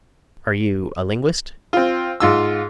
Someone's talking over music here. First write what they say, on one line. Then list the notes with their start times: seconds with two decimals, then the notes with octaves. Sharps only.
"Are you a linguist?"
1.73 C4 F4
2.20 G#2 F4 E6